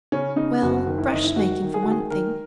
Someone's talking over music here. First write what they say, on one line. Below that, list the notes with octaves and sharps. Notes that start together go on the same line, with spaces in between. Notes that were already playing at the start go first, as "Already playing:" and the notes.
'Well, brush-making for one thing.'
C#3 C#4
C#3 D#4
F#1 F#4
D#3
E4
F#1 D#4
E4
D#3 F#4
D#3
G#4
F#4
D#3
G#4
D#3 A#4